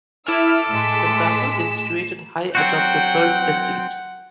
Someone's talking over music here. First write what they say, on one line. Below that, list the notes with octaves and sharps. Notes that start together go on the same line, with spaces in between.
The castle is situated high atop the Searles estate.
E4 A4 D6 E6 F6
A2 G#3 B6 E7
F#3 C4 F#4 F#5 G5